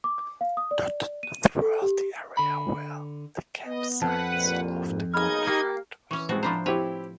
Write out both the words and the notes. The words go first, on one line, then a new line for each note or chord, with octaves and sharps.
Dotted throughout the area were the camp sites of the contractors.
D6
F5
D#6
D5
D#7
A4
G4
D3 B5
B3 D#5
F2 B4 F#5 A5
C2 A#2 D#7
G#2
B1 A#3 D#4 G#4 D#5 B5 F6 G#6
A#3 G4
E3 C#4 C#6
A2 G#3 A3 C4 F#4
F3 D4 C5 A#5 B5
C4 E4 G4 B4 C#5